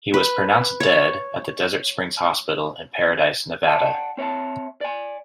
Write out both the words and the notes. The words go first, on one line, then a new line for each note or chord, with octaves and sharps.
He was pronounced dead at the Desert Springs Hospital in Paradise, Nevada.
B4
C#5
D5 F#5 G5 A5
C4 C#5 D#5 E5 A5
D5 G#5